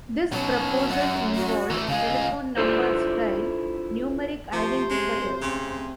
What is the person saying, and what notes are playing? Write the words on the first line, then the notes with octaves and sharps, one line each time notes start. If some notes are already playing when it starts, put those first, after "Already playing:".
This proposal involved telephone number style numeric identifiers.
B2 F#3 C#4
F#2 F#5
F#4
E3 A3
C#3 G#3 F5
D4 E4 F4 A4 C5
C3 F3 A3 C5
G#3
C#3 C4